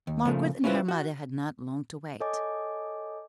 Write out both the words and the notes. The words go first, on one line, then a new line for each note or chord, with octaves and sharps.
Margaret and her mother had not long to wait.
D#2
A#2 C#3 F3 A3
C#4 E4 F4 G4 B4 C5
F#4
A4 C#5 D#5 G#5 D6